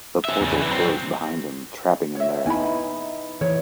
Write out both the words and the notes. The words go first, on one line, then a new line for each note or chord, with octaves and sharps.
The Portal closed behind him, trapping him there.
C#4 E5
E2 C#3
D3 E3
F#3 C4
C#5 E5
B3 D#4 E4 G#5 B5
E3 C#5